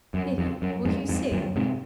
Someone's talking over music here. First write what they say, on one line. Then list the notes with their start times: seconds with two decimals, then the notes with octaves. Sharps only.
'Biddy, will you sing.
0.14 F#2
0.38 F2
0.62 F#2
0.85 F2 G#2
1.08 F2 G#2
1.32 F#2 A#2
1.56 G#2 C3